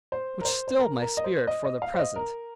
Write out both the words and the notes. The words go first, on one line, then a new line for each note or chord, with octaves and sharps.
Which stilled my spirit for the present.
C5
A#4
C5
C5
A#4
A#4
D#5
C5
D#5
D#5
F5
C5
D#5
A#4